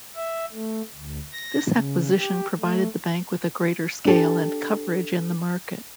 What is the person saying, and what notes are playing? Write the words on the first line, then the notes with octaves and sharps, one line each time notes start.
This acquisition provided the Bank with a greater scale and coverage in the market.
E5
A3
D2
A#6
C#3
G4
A3
D4 G4 A4